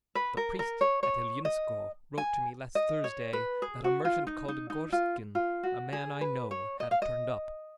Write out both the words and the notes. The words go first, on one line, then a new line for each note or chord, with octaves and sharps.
The priest at Ilyinskoe wrote to me last Thursday that a merchant called Gorstkin, a man I know, had turned up.
B4
A#4
A#4
C#5
C#5
D#5
G#5
D#5
C#5
B4
G#4
F#4
F4
D#4
D#4
D#4
F4
F4
F#4
G#4
B4
C#5
D#5
F5
D#5